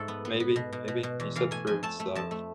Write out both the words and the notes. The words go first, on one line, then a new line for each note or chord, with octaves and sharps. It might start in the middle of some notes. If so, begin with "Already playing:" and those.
maybe maybe. You said fruits, so,
Already playing: G#2 A3 A4
B3
B3
B3
B2
B2
B2
B2
E2
E3 F5
A3 G#5
F2 G#5
A3 A5
A3
F2 A5
A3